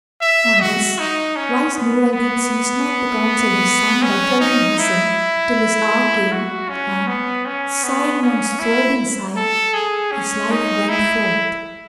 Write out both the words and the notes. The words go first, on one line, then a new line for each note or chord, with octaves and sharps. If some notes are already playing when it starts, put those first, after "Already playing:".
On this wise Nur al-Din ceased not to counsel his son Badr al-Din Hasan till his hour came and, sighing one sobbing sigh, his life went forth.
E5
F#4
D#4
C#4
B3
B3
C#4
D#4
E4
F#4
C#4
B3
C#4
B3
C#4
E4
A4
G#4
C#4
D#4
E4